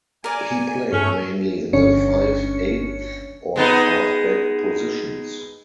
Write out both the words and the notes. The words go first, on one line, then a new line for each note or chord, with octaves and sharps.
He played mainly in the five-eighth or halfback positions.
A#4 D5 G#5
G2 A3 C#4 C#6 F6
G1 C#4 D4 C#7
G#3 B3 D#4